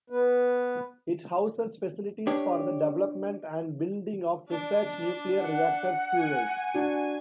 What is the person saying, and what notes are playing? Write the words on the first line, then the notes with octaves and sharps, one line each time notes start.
It houses facilities for the development and building of research nuclear reactors fuels.
B3 B4
D4 G4 C#5
D4
F#5
G#5
D4 F#4